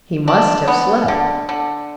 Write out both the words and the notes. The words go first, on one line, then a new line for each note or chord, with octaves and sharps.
He must have slept.
D4
B3
D3
D3